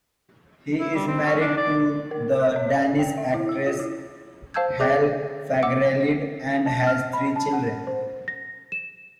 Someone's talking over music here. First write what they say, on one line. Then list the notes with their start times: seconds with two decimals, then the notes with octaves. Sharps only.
He is married to the Danish actress, Helle Fagralid, and has three children.
0.80 E4
0.95 G3
1.07 C4
1.27 C#4
1.41 D4
1.58 D5
2.11 A#4
2.39 F#6
2.56 C#5
2.77 D5
2.99 G5
3.18 E5
3.34 E4
3.49 E6
3.66 F4
3.79 E4
4.54 C5 F5 A5 E6 G6 G#6
4.80 G#4 D5 E5 D6 F#6 G6
5.63 F#5 D6 E6
6.66 A5
6.87 F6
7.13 B5
7.36 A5
7.53 F#5
7.87 C5
8.28 A#6
8.72 E7